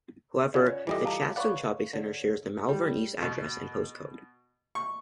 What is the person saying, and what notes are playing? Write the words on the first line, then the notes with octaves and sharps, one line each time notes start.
However, the Chadstone Shopping Centre shares the 'Malvern East' address and postcode.
C#3 F4 C#5 D5 F#5
E3 G3 F4 A4 D#5 D6
F5 A5 A#5
B4 C#5 D5 F5 F#5 C#6
D3 C#5
G3
B2
C#6